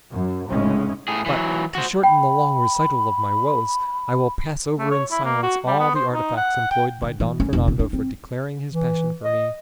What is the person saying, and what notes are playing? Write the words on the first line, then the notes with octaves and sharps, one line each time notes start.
But to shorten the long recital of my woes, I will pass over in silence all the artifices employed by Don Fernando for declaring his passion for me.
F#2
F1 A2 C#3 G#3 C#4
A2 G#4
E3 F#3
F#4 C5
G5 B5
A3
C#5
E4
A#3
F#4
G3
B3
C5
D#4
F#5
G5
D3
E3
C#4
F1
C#3
D4
C4
E3
D#5